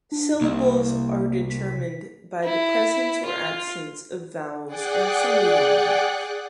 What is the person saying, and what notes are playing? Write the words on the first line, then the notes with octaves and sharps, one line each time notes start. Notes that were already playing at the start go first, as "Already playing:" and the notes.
Syllables are determined by the presence or absence of vowels and semi-vowels.
D4
C2 A#3
B6
E4
F4
G#4 D5 F#5 G5 F#6